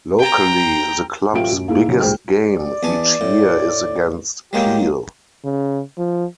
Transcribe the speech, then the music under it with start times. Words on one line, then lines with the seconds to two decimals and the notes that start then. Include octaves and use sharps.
Locally, the clubs biggest game each year is against Peel.
0.20 G5 A#5
1.33 A1 F#3 A3 F4 G5 D7
1.51 F#2
1.68 A#3 D#4 E4 G#4
1.87 C#3 F#3
2.00 D#1 G#2 G#4 C5 G5 F6
2.51 D5
2.83 E2 G#5 A5
3.21 A2
4.53 F#3 G#3 A#3 G4
5.45 C#3
5.98 F3